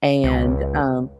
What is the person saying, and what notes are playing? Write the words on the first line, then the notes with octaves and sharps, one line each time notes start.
and, um,
C#2